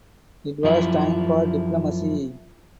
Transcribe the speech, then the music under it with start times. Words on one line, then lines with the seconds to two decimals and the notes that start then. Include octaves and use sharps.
It was time for diplomacy.
0.63 F#2 F3 E4